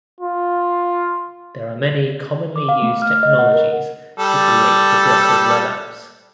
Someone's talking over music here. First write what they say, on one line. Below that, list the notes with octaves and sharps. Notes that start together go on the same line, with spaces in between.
There are many commonly used technologies to create progressive web apps.
F4
D6
F5
A3
F6
D#5
F#5
A#4
G3 A4